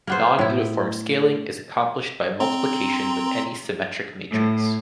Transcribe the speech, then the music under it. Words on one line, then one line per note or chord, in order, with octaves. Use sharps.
Non-uniform scaling is accomplished by multiplication with any symmetric matrix.
A#3 B3 C5
A2 E4
C4 A#5 C6
A2